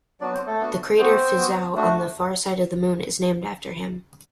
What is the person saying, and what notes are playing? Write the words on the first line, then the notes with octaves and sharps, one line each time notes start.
The crater Fizeau on the far side of the Moon is named after him.
F#3 B3 D4 F#4 D5
C4 C5
A3 A4
B3 D4 F#4
B3 C4 F#4 C5
B3 F#4
A3 D4 F#4